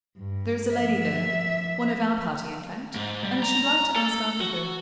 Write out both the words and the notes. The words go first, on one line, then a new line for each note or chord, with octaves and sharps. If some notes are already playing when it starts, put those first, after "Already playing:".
There is a lady there,--one of our party, in fact,--and I should like to ask after her.
G2
F3 E5
G#2
G3
A#5
A4
F#4